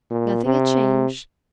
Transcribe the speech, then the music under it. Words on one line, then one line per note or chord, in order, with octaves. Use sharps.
Nothing had changed.
A#2
C3